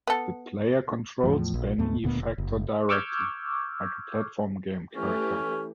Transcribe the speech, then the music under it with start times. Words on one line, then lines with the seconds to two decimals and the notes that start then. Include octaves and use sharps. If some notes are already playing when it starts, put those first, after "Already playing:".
The player controls Ben E. Factor directly, like a platform game character.
0.07 B3 A4
1.23 E2 A2 F3
1.54 A#1
1.78 D2 G#2 A3 B3
2.03 D#1 D2 A#2 B3
2.19 F1
2.38 F#1
2.89 C#6 D6 E6 F6 G6 G#6
4.96 E3 A3 C#4 G4